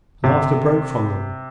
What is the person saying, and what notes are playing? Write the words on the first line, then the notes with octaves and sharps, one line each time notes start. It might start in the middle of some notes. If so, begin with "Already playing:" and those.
Laughter broke from them.
C3